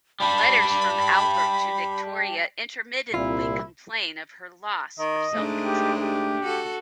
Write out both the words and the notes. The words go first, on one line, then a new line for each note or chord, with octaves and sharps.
Letters from Albert to Victoria intermittently complain of her loss of self-control.
G3 D4 B5
C2 A#2 E4 F4
D#3 D#5
G#2 A3 D4
G4
G4
F#4 A4